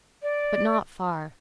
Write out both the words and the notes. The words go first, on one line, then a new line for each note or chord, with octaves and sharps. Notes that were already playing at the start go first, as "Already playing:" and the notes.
But not far.
D5